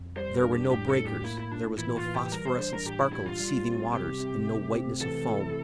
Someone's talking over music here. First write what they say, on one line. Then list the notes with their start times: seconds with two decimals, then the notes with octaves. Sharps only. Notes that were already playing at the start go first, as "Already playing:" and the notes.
There were no breakers; there was no phosphorescent sparkle of seething waters, and no whiteness of foam.
Already playing: F2
0.17 G3 C5
0.35 A#4
0.43 D4
0.52 G4
0.71 A2 G4
0.88 A4
0.98 A2
1.07 G4
1.24 A#3 E4
1.38 E4
1.51 D4 F4
1.78 E3 E4
1.96 F4
2.05 E3
2.14 G4
2.31 G3 A#4
2.45 C5
2.58 D4 C5
2.73 A#4
2.85 A2 G4
3.00 E4
3.13 E4 G4
3.26 F4
3.40 G3
3.67 C4
3.93 C3 G4
4.20 C3
4.47 A3
4.75 C4
5.01 E3 A4
5.28 E4